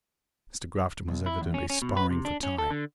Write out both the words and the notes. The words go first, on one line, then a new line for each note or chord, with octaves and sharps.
Mr. Grafton was evidently sparring for time.
B1
E4
E2
C#4
C#4
B2
B4
C3
D4
C#4
A4
D3